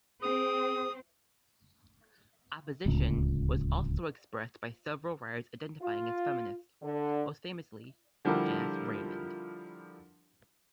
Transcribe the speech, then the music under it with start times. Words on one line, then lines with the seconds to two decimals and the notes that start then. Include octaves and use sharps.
Opposition was also expressed by several writers identifying as feminist, most famously Janice Raymond.
0.22 C4 G#4 D#6
2.86 D1 C#2
5.81 F4
6.82 D3
8.25 D3 F3 G3 E4 G4 A#4